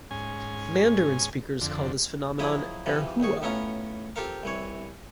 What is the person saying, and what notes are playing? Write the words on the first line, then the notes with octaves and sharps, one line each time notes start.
Mandarin speakers call this phenomenon "erhua".
G#2 C#4 G#5
F2 D3
F3 F#3 E4 G#4 D#5
C3 E3 F3
A#1 D#2 G#4 C#6
A2 B3 C#4 F4 A#5
C4 F4 G4 A4 A#4 F5
C2 E3 C#5